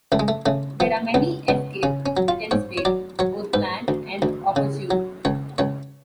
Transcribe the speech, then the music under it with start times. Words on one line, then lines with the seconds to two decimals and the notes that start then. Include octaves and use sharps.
There are many escape attempts made, both planned and opportune.
0.12 C#2 A3
0.19 G#3
0.28 A3
0.46 C#3 A3
0.80 F3 B3
1.14 C#2 B3
1.48 C#2 B3
1.83 C#3 C#4
2.06 C#4
2.17 F#3
2.28 F4
2.51 G#2 C#5
2.78 C#5
2.85 F#3 D5
3.19 F#3 C#5
3.54 G#2 B4
3.88 D2
4.22 D2
4.56 C#3
4.91 F#3
5.25 C#2 C#5
5.58 C#2 C#5